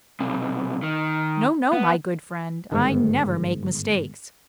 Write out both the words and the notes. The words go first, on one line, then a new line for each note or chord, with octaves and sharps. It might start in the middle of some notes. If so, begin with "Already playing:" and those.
No, no, my good friend; I never make mistakes.
B1 C3
D#3
B3
G1 G#2 D#3